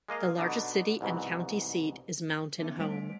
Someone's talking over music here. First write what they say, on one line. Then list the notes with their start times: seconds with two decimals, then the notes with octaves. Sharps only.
The largest city and county seat is Mountain Home.
0.09 G#3 A#3 D#5 F5
0.38 B2 D3 D4 D#4
1.01 C2 G#2 B2 E3
2.59 B3 C#4 D#4 E5
2.79 G3 A3 C5 B6 D7